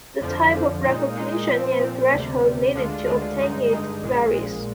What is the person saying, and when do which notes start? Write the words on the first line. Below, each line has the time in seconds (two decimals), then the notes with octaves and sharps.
The type of recognition and threshold needed to obtain it varies.
0.21 F2 D3 F3
0.52 F2 D3 F3
0.84 A#2 G#3 D#4
1.16 A#2 G#3 D#4
1.47 A#2 F3 C4
1.79 A#2 F3 C4
2.11 D2 C3 G3
2.42 D2 C3 G3
2.75 D2 D3 G#3 D4 F4
3.06 D2 D3 G#3 D4 F4
3.38 G2 D3 G#3 D#4
3.69 G2 D3 G#3 D#4
4.02 A#1 A#2 G#3
4.33 A#1 A#2 G#3